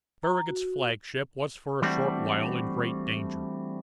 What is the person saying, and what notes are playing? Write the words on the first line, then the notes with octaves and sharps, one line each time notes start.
Farragut's flag-ship was for a short while in great danger.
A#5
F#4
E3 G3 A3 C4 D4 F#4